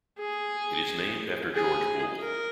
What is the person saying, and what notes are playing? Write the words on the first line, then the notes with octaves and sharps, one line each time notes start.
It is named after George Boole.
G#4
G#4
A#4